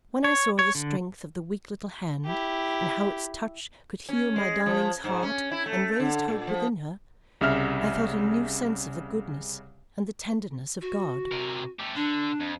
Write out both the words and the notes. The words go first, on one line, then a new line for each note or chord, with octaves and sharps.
When I saw the strength of the weak little hand and how its touch could heal my darling's heart and raised hope within her, I felt a new sense of the goodness and the tenderness of God.
C#5
C#5
D3
E4 G4
C#4
G#3
F3
G#2
C#4
E4
A3
D3
A#2
F3
C2 C#3 E5 F6
F#4
C3 A#4
A3 G4
D3 D4
F2